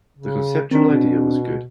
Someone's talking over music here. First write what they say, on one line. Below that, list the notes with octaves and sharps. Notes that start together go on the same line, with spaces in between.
The conceptual idea was good.
C#3
D#3 C4 D4
B2